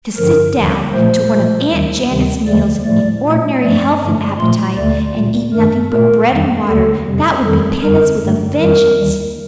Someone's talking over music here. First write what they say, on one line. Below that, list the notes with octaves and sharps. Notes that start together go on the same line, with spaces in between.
To sit down to one of Aunt Janet's meals, in ordinary health and appetite, and eat nothing but bread and water--that would be penance with a vengeance!
G2 D3 F3 A#4
D#2 D3 F3
A#2 F3 A3 C5
A#2 F3 A3
D#2 D#3 G3
D2 C3 D#3 G3
D#2 D3 F3 A3 D5
A2 F3 A3 D5
A#2 A3
G2 F3 A3 D5
G2 D3 F3 A3
A#2 F3 A3 C6
D2 D3 A3 D5
A#2 G3
G2 D#3 A3 A#4
A#2 A3 A#4
F2 D#3 G3
D#2 D3 A3 A4
F2 C3 G3
F2 D#3 G3 A4
F2 D3 G3 A#4
G2 D3 A3
F2 D#3 G3 A#4
D#2 D#3 G3